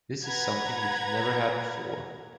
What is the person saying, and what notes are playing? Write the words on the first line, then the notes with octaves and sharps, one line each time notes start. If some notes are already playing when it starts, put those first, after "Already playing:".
This is something we've never had before.
B4 F#5 A#5 G#6